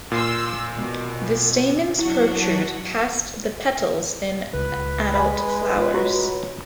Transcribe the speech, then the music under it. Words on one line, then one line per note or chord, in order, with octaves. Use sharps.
The stamens protrude past the petals in adult flowers.
A#2 C6 E6 F6
B2
F#3 D4 E4 F#4
C#2 B4
G#3 G#5 B5
C#4 F4
F#4 C#5 A#5